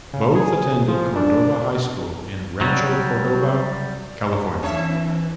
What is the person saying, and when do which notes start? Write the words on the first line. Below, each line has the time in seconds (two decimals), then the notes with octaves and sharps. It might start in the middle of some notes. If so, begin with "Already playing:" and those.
Both attended Cordova High School in Rancho Cordova, California.
0.13 C#3
0.35 G#4
0.88 F3
1.16 D4
2.61 F#3 G3
4.63 E3 C4 E5